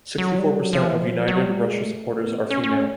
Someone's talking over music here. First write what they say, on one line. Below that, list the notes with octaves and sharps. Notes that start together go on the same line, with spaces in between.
Sixty-four percent of United Russia supporters are female.
F#3
G3
F#3
F3
E3
F3
F#3
F3
F#3
G3
G#3
A3
B3
C#4
C#4